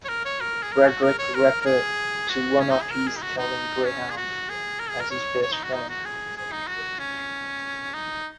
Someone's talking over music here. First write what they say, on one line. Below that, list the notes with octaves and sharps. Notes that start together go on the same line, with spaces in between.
Frederick referred to one of his Italian Greyhounds as his best friend.
C#5
A#4
C#5
A#4
G#4
A#4
F#4
A#4
C#5
A#4
A#4
G#4
F#4
C#4
D#4
G#4
A#4
G#4
D#4
F#4
D#4
C#4
G#4
F#4
G#4
A#4
G#4
A#4
C#5
C#5
D#4
F#4
D#4
F#4
G#4
G#4
D#4
F#4
C#4
D#4